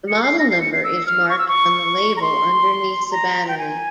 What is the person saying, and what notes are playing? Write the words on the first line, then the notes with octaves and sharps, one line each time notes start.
The model number is marked on the label underneath the battery.
C#7
C7
A#6
C7
C#7
C7
E6
F6
C#6
E6
C#6
A#5
C6
A#5
G5
G#5